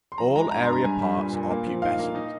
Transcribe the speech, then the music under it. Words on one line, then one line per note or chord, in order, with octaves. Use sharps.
All aerial parts are pubescent.
C6
F3 A#5
G#3 A#5
G2 A#5
C6
G2 A#5
G3 G#5
G3
A#2
A#2
A#3
F3
D#4 F5
A#3
D#4 D#5